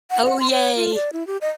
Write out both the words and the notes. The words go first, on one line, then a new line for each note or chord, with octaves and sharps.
Oh, yay.
F#5
F#5
C6
C#5
F4
D5
E4
G4
D#5